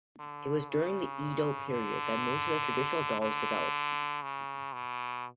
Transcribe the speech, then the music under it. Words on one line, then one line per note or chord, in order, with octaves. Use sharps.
It was during the Edo period that most of the traditional dolls developed.
D3
C#3
D3
D3
C#3
B2